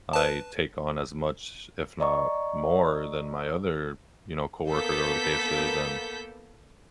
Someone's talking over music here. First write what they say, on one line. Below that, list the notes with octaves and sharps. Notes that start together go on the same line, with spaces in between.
I take on as much, if not more, than my other, you know, coworker over the cases. And,
B4 A5
D5 D#5 A#5 C#6
A#3 B3 A4 G6 B6